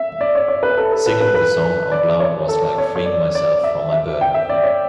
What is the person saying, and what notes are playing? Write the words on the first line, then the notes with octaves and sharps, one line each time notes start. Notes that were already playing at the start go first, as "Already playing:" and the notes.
Singing the song out loud was like freeing myself from my burden.
Already playing: E5
D5
C#5
C#5
B4
A4
A4
B4
B4
B4
D5
C#5
A4
C#5
C#5
D5
D5
E5
E5
G5
E5
D5
C#5